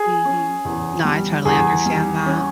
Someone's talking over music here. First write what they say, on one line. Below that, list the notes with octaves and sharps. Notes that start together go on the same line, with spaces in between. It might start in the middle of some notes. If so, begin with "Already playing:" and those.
Mhm. No, I totally understand that.
Already playing: G#4
C#4
E2
G3
E2 G#4
G3
C#4